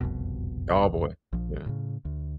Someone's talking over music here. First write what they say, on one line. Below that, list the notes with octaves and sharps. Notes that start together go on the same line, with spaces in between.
Oh, boy. Yeah.
F#1 C2 F2 B2
A#1 F3
A2 C#3
D2